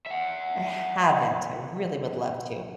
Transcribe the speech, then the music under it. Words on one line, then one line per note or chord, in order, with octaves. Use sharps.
I haven't. I really would love to.
E5 F#5